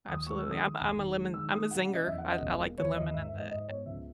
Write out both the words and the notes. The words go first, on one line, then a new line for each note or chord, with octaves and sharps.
absolutely, I'm I'm a lemon I'm a zinger, I I like the lemon and the
D#2 D#6
G#3 C#6
E6
D#3
D#6
D#3
E1
D#3
G#3
D#3 E6
G#3 D#6
B2 F#5
C#4
D#5
E2 E5
F#5
C#4
D#5
E1
A#3
D#2 C#5
D#2 D#5
G#2 E5
E5
G#2
D#5
G#2 D#5
B3 C#5
C#2 E5